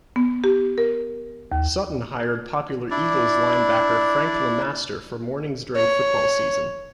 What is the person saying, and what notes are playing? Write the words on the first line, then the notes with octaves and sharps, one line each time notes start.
Sutton hired popular Eagles linebacker Frank LeMaster for mornings during football season.
B3
G4
A#4
D#2
D4 E4 D5
C#5